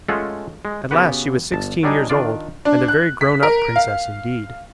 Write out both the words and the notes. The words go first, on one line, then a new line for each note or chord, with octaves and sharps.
At last she was sixteen years old and a very grown-up princess indeed.
G#3 A3 C#4 F4 A4 F#5
G#3
C#3 B3 F#4 G4 B4 F#5
G1 A5
F#3 G3 D4 D#4 G#5
D#3 D4 F4 D5
D4
F#6
B6
A#4
F5